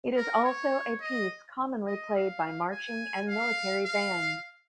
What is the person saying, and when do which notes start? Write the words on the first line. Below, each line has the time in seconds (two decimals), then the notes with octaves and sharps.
It is also a piece commonly played by marching and military bands.
0.16 A#4
0.44 C#5
1.01 D#5
1.87 D#5
2.15 F5
2.71 G#5
3.28 F5
3.85 F5